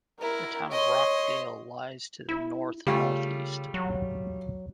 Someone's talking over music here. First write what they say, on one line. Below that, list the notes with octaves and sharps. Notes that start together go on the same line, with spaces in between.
The town of Rochdale lies to the north-northeast.
E4 A#4
C#5 D#5 C6
E4
C#3 G3 A3 F4
F#3